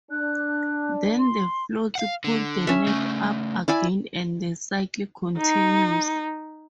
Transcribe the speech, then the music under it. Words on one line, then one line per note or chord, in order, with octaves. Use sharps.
Then the floats pull the net up again and the cycle continues.
D4 F#6
C6
F5 F#5
D3
C#4 E5
C#3 A3
E4 D5 G#5
D#4